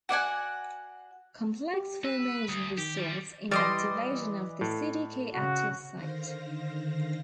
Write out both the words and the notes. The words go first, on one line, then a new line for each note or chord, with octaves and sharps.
Complex formation results in activation of the Cdk active site.
F#4 D5 F#5 G#5
G4
B4 E6
D2 D#6
D#3 G4
F3 G3
E3 G3 D5 D#5 C6
A2
C#3 F#4
D3 D#3 C5 F5 A#6